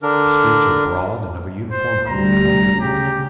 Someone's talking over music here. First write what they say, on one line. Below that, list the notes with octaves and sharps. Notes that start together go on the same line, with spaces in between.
The streets are broad and of a uniform height of twenty feet.
D3 D4 A#4
C5
D2 G3 A#5
C#3 G4